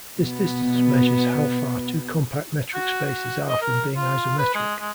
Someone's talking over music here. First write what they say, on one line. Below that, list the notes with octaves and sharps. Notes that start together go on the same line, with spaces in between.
This distance measures how far two compact metric spaces are from being isometric.
B2 B3
F#4
F#4
D#5
A#4
F4
B4
G#3
G#3